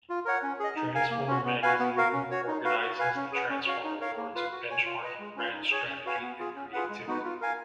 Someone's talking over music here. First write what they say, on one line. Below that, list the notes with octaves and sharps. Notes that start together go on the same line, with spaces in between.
Transform magazine organises the Transform Awards benchmarking brand strategy and creativity.
F4
A#4 C#5 F#5
C#4
G#4 D#5
D#4
A#4 F5 G#5
A#3
C#4 F#4
B3
F#4 B4 F5 G#5
B3
F#4 A#4 F5
C#4
F#4 C#5
D#4
F#4 B4 F5
F#4
B4 F5 G#5
C#4
G#4 B4 F#5
C#4
F#4 C#5 F5
D#4
A#4 C#5 F5
A#3
F4 B4 F5
F#4
C#5 G#5
F4
B4 D#5
G#3
C#4 F4 B4 F5
D#4
G#4 C#5 G#5
C#4
F#4 B4 F5 G#5
B3
F4 G#4
C#4
F4 G#4 B4 F#5
G#3
B3 D#4 F#4 B4
F4
A#4 F5 G#5